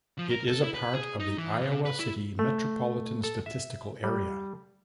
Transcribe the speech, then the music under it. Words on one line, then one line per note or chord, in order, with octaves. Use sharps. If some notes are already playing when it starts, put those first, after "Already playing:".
It is a part of the Iowa City Metropolitan Statistical Area.
F3
A#4
A4
E4
B4
G#4
D#4
E3
C3
B4
E4
A3
A4
E5
G3